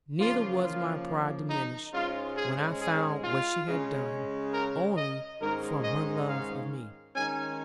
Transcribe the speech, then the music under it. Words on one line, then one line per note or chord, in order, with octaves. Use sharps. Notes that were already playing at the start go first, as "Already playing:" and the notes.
Neither was my pride diminished, when I found what she had done, only from her love of me.
C#3 F3 A#3 F4
F4
D#4
G#2 G#3 C#4 F4
G#4
G#4
F4
C#3 G#3 C#4
A#4
D#5
G#2 D#3 G#3 C#4 A#4
D#5
F5
D#3 G#3 C#4 G#5